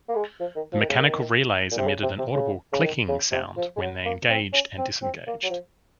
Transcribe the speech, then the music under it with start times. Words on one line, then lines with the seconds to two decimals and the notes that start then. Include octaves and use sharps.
The mechanical relays emitted an audible "clicking" sound when they engaged and disengaged.
0.09 A#3
0.16 G#3
0.40 F3
0.56 D#3
0.73 F3
0.81 D#3
0.89 C#3
0.98 D#3
1.71 A#2
1.78 C3
1.87 C#3
2.02 C3
2.19 C3
2.34 C#3
2.73 C#3
2.83 D#3
3.08 C#3
3.31 C3
3.57 F3
3.77 G#3
3.80 F#3
4.05 A#3
4.29 C4
4.53 C#4
4.78 C4
5.02 C4
5.27 A#3
5.43 F#3
5.50 F3